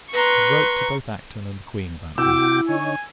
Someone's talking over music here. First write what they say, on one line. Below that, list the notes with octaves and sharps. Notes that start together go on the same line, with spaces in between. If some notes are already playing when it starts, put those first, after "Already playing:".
I have wrote to both Acton and the Queen about you.
B4 A#5 C6 C#6
C3 E4 F#4 G5 D6 E6
D3 D#4 C#5 G#5